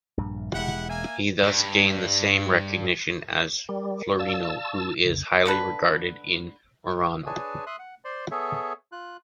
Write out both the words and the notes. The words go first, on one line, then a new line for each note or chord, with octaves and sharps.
He thus gained the same recognition as Florino, who is highly regarded in Murano.
A#1 G2
E1 G#3 E4 G4 F#5
A#3 E5 G#5
G2
G3 A#4
D5 F5 A5 E6
B1 F2 C#3
D3 A4 B4
D4 G#4 B4 C#5 G#5 A5
E5 C6 D#6 F#6
F#5
C5 D5 C6
B3 G#4 A4 C#5 E5
F4 F#6